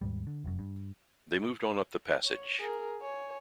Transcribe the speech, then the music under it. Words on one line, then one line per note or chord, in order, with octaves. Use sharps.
They moved on up the passage.
D#2 G#2 G3
D3
F1 F#2
G2
C#5
G#4 A#4
C#5 G#5